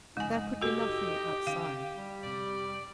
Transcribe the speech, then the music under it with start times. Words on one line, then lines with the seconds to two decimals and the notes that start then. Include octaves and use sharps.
There could be nothing outside.
0.17 F#1 F2 C#3 G#3 D#4 G#5
0.61 F1 F#4 G4 A4
1.47 D3 C#4 F5
1.97 G3
2.23 F1 C3 D5